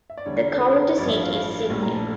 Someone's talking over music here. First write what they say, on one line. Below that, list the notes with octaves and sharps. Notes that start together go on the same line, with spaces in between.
The county seat is Sidney.
E5
D5
E2 D3 G3 C#5
A#4
A4
F4
A4
A#4
C#5
A1 G2 F3 D5
E5
F5
F5
A#1 A2 G3
A#5
A5